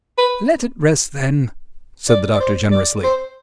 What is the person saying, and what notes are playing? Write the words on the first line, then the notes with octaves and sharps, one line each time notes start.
"Let it rest then," said the doctor generously.
B4
D5
D5
C5
D5
C5